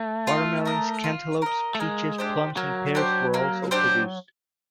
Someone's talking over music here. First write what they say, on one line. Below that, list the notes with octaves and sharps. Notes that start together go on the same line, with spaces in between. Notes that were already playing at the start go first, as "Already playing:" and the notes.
Watermelons, cantaloupes, peaches, plums, and pears were also produced.
Already playing: A3
F4
A#4 D#5
F4
A#4 D#5
A3
G#3 A#3
D4 G4 C5
F#3 A#3
D4 G4 C5
A#3
D4 G4 C5